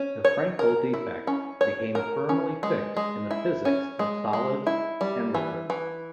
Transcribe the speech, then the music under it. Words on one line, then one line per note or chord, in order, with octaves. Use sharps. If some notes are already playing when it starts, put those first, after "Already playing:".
The Frenkel defect became firmly fixed in the physics of solids and liquids.
Already playing: C#4
C#5
A#4
E4
C#4
C#5
A#4
C#4
G#3
G#3
E4
C#4
G#3
G#3
E4
G3
E3
E3